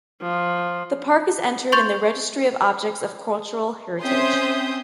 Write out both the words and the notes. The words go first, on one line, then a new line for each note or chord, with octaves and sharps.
The park is entered in the Registry of Objects of Cultural Heritage.
F3
C6 C#6 G6 A6 F7
C4 C#4 E5 C6 D#6 G6